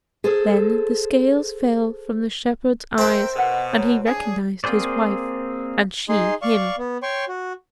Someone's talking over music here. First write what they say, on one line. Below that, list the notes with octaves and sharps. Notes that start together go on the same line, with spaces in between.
Then the scales fell from the shepherd's eyes, and he recognised his wife, and she him.
G#4 A4 C5
C4 A#4 E5 G5
B2 A#4 C5 F#5
C#5 A#5
D4 G#4
A#3 C4 G#4 C5 D5
D#4 G#4 C6
D5 F5 C#6
B3
C#5 G5 C6 C#6
F#4